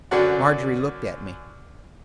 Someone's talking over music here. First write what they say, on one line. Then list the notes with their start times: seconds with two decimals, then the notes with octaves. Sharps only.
Margery looked at me.
0.11 F#2 D3 F#3 D5 F#5